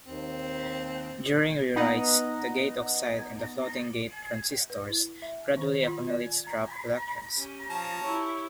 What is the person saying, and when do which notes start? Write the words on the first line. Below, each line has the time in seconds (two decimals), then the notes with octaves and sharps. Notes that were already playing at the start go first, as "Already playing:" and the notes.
During rewrites, the gate oxide in the floating-gate transistors gradually accumulates trapped electrons.
0.07 D#2 C4
1.76 B3 D#4 D#5 F#5 A#5
4.70 B4
4.89 E4
5.22 E5
5.57 D#3
5.88 F4
6.10 D5
6.47 A#5
7.36 C#4 G4
7.70 F3 C#4 A5 A#5
8.04 E4 G4 C#5